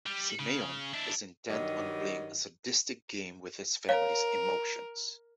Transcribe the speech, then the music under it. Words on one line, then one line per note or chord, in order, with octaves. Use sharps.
Simeon is intent on playing a sadistic game with his family's emotions.
G3
C#3
D4 E4
G2 D#3 F#3 G3 D#5
A#4 C#5 F5